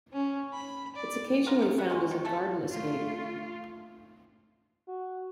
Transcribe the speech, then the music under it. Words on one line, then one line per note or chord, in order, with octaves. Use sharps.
It's occasionally found as a garden escape.
C#4
B5
D5
B3 C4 A#4 F5
A#3 B3 D#4
E3 E5 F#5
G#3 C#4 F4
D#3
C#3 A3 A4
A3 F4
F#4